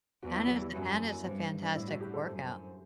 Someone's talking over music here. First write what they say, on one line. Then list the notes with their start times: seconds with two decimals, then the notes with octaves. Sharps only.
And it's and it's a fantastic workout.
0.23 E2 F#4
0.36 E4
0.47 F#3
0.61 G3
0.73 F#2 B3
1.25 G2 C4
1.62 D4
1.75 A2 E4
1.88 F#4
2.01 G4
2.14 A4
2.26 F#2 C5